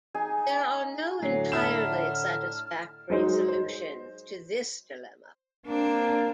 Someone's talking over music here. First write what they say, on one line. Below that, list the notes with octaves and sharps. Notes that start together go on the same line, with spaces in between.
There are no entirely satisfactory solutions to this dilemma.
D#4 G#4 G#5
A2 D3 F#3 C7
E4 A5 A#5 F6 E7
F#3 G#3 D#4 C5
C5
A#3 C4 D4